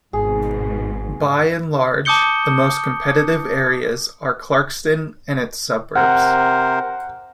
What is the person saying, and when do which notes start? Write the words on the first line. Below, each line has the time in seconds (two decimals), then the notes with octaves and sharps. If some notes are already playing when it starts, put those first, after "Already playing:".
By and large, the most competitive areas are Clarkston and its suburbs.
0.13 G#1 G#2 B2 G#4
2.05 A5 D6 D#6 G6 C#7 G7
5.96 C3 A#4 C5 F#5